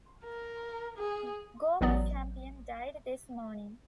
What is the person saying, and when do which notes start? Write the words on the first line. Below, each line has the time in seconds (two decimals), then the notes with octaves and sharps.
Gower Champion died this morning.
0.24 A#4
0.97 G#4
1.81 A1 F#3 B3 D5